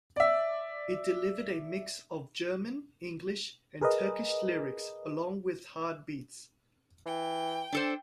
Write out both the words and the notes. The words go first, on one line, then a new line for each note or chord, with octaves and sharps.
It delivered a mix of German, English, and Turkish lyrics along with hard beats.
D5 E5
G#4 A#4 B4 D#5
E3 G5
D4 A4 C5